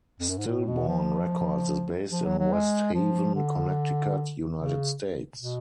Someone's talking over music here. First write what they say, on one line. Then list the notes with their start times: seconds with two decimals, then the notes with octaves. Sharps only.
Stillborn Records is based in West Haven, Connecticut, United States.
0.20 F2
0.29 F#2
0.38 G#2
0.47 A2
0.67 B2
0.88 F3
2.10 F3
2.25 F#3
2.38 F#3
2.52 G#3
2.94 F3
3.35 D3
4.58 C#3
5.40 B2